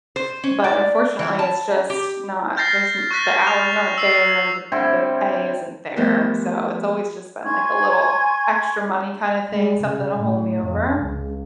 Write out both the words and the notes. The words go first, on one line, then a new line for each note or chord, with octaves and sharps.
But unfortunately, it's just not. There's n the hours aren't there and the p the pay isn't there. So it's always just been like a little extra money kinda thing, something to hold me over.
C5
C#4
D5
E3
A5
G4
F6 G6 A6 A#6 C7
C#6 F6 F#6 A6 B6
F7
E6 C7
D3 G3 C4 E4
F3 G3 A3 B3 A#4 C5
G#5 C6 C#6 G#6
G#3
C#3
A2
F2
C#2